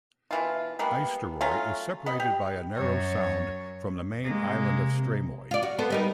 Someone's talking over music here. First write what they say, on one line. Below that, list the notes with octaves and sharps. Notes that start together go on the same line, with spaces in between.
Eysturoy is separated by a narrow sound from the main island of Streymoy.
B2 E3 F4
G3 G#3 A#3 B3
F#3 A3 C#4 F4
B3 D#5 B5
G4
F#2 C#5
C3 G#3 A#3
F4 D5
F#4
B3 A4 C5
G3 D#4 A#4